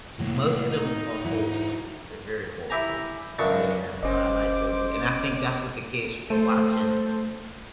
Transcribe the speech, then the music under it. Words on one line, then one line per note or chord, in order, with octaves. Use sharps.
most of them are wholesome, they're very wholesome, yeah, so I like those, and I think that's what the kids should be watching
C2 A2 F#3 A#3
D#4
G#2 F#3 E4
E4 G4 G#5 A#5
C#2 F#2 C#3 D4 C#6
F#1 C#4 C5 D#5 D6
A3 A4 C5